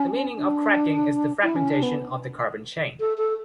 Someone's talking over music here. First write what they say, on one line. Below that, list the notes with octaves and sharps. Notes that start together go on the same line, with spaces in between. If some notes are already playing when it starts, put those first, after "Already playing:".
The meaning of cracking is the fragmentation of the carbon chain.
Already playing: C#4
D4
E4
C#4
D4
B3
A4
A4